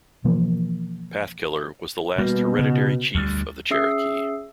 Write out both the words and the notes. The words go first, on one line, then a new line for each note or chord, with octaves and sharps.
Pathkiller was the last "hereditary chief" of the Cherokee.
B2 E3 F3 A#3
B2 G3 A#3
C#3
D2 G3
C#4 G#4 E5 D#6 E6 C7